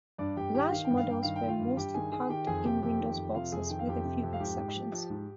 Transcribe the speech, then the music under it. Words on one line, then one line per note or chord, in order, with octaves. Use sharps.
Large models were mostly packed in window boxes, with a few exceptions.
G2 D4 D5
G2 G4 G5
D#3 G4 G5
D#3 F5
G5
G2
F5
G2 G5
D#3 F5
G5
D#3
F4 F5
G2
G2 G4 G5
D#3 G#4 G#5
D#3 G#4 G#5
D#3 G4 G5
F2 G#4 G#5
C3 G4 G5
F2 G4 G5
D#3
F2
C3 F4 F5
F2 G#4 G#5
D#3 G5
F5
F2 G4 G5
C3
F2
F5
G#2 G4 G5
G#2
F3
F3
G#2